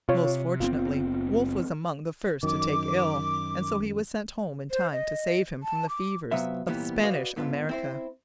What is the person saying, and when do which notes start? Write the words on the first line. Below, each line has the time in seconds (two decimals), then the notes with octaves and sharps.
Most fortunately, Wolfe was among the first to take ill; and so he was sent home in time to save him from the fevers of Spanish America.
0.09 C3 F4 C#5
0.60 F#1 B3 C4 F4
2.43 F#2 D#3 D6
4.71 C5
4.92 D#5
5.63 A5
5.89 D6
6.31 C3 F#3 B3 F4 E5
6.66 C2 A#2 E3 G3 B3
7.03 F#4 B4 D5 D#5 F5 F#5
7.36 G#2 D3 B3 F4
7.69 C4 E4 C5